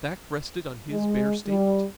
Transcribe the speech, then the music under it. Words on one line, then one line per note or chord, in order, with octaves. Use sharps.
The fact rested on his bare statement.
G#3
G3